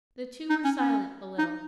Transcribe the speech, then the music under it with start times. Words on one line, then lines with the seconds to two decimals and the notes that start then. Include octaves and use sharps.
The two were silent a little.
0.50 D#4
0.65 C#4
0.79 C#4
1.39 D#4